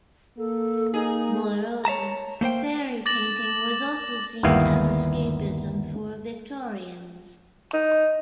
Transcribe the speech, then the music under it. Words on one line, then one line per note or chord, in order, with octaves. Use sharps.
Moreover, fairy painting was also seen as escapism for Victorians.
A#3 A4
D#4 G#4
C#5 E5 A5 A#5
A3 A#3 C5 G5
D6 A6 A#6 F#7
G1 D#2 B3 E4 F5 G5
D#4